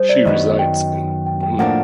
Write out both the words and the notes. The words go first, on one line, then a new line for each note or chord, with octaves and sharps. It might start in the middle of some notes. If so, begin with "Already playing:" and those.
She resides in Brno.
Already playing: G3 C5
D5
F#2 D#3 F#3 B3 D#5
G5
G5
G5
A2 F3 A#3 D4 F#5